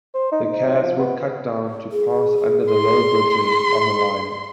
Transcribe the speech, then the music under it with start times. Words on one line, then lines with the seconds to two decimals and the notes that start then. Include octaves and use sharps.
The cabs were cut down to pass under the low bridges on the line.
0.15 C5
0.32 D#4
0.44 D#4
0.65 F#3
0.82 F3
0.98 B3
1.92 G#4
2.72 C6